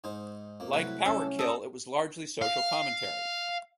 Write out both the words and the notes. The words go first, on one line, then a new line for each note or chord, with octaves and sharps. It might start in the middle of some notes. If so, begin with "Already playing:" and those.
Like "Power Kill" it was largely social commentary.
G#2 D#4 C5
F2 A#3
C2 A2 F#3 B4
C#4 A4 D5
A4 D#5
F5